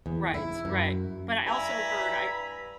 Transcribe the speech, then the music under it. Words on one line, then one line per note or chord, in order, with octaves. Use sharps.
Right right. But I also heard I
E2
E4
F#2
G2 E4 G#5 A#5 B5